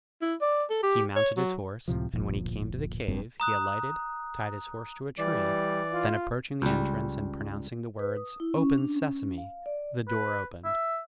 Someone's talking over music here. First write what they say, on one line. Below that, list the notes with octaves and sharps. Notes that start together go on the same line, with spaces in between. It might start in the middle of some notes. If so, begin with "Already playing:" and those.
He mounted his horse, and when he came to the cave he alighted, tied his horse to a tree, then approaching the entrance, and pronouncing the words, "Open, Sesame!" the door opened.
E4
D5
A4
G4
C#5
F#3
C#2 A2 C3 F3
D1 G1 A#2 F3
F1 G2 F#3 C4
A#5 D#6 F#6
E3 G3 D5
F4
C#2 G3
B4
D#6
E4
C#4
D4
C#4
F5
D5
B4
E5